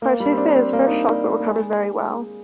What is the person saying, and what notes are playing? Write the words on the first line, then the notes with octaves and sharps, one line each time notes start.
Tartuffe is at first shocked but recovers very well.
A#3
G3
C4
D4
C4
A#3
D#4
D4
D4
A#3
A#3
G#3